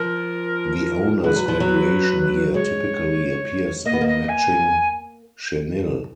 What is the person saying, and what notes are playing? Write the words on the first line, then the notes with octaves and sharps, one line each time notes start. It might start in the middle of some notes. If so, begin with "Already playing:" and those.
The owner's graduation year typically appears in matching chenille.
Already playing: F3 A#4
G#3 B4
F#3
F3
F#3
G#3 C#5
A#3 D#5
B3
A#3
D#5
G#5